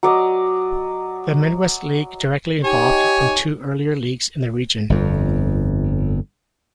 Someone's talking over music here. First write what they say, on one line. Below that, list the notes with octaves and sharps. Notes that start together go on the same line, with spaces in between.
The Midwest League directly evolved from two earlier leagues in the region.
F#3 D5 D#5
D#4 G4 C#5 G#5
G1 F2